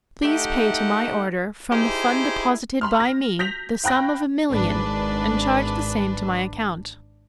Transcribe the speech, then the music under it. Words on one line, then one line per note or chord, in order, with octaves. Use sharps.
Please pay to my order, from the fund deposited by me, the sum of a million, and charge the same to my account.
A3 D#4 G4 E5 F#5
D#4 E4 G4 G#4 C5
B5 C6 F6
A#6
G6 A#6 B6 F7
F5 G5 B5 F#6 A#6
G#1 D4 B4